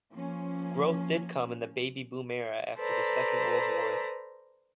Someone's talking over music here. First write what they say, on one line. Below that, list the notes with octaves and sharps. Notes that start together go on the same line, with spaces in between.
Growth did come in the "Baby Boom" era after the Second World War.
F3 A#3 C#4
A4 B4 C5 D5 A#5